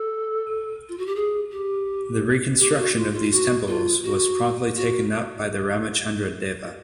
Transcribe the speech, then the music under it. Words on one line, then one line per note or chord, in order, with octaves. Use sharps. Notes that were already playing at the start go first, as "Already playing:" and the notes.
The reconstruction of these temples was promptly taken up by Ramachandra Deva.
Already playing: A4
F4
F#4
G4
G#4
G4
G4
F#4
F4
F4
F#4
F4
F#4
F#4